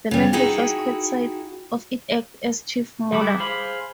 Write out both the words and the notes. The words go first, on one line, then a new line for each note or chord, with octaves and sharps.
The man who first caught sight of it acts as chief mourner.
C#3 G3
D#4 E4 F#4 G#4 G5
G3 G#3 E4 B5 D6
G#4 C5 F5 B5